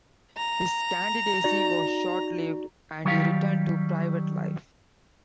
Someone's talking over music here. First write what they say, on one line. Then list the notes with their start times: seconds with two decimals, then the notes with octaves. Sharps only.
His candidacy was short-lived and he returned to private life.
0.38 A#5
1.44 D#4 F#4 D5
3.05 D#3 F#3 G3 G4 E5 F5